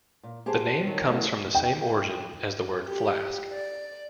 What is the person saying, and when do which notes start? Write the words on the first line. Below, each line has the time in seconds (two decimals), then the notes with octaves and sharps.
The name comes from the same origin as the word "flask".
0.23 A#2
0.46 G4 G#4 C5 G5 A5
0.87 D#3 F#3
1.07 F#2 E3 G3 A3 A#3
1.55 G5
2.86 G4
3.52 D5